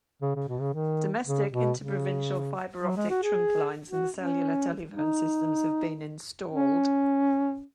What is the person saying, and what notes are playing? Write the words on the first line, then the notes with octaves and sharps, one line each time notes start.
Domestic interprovincial fiber-optic trunk lines and cellular telephone systems have been installed.
C#3
C#3
B2
C#3
D#3
C#3
B2
C#3
F#3
G#3
F#4
G#4
F#4
C#4
D#4
C#4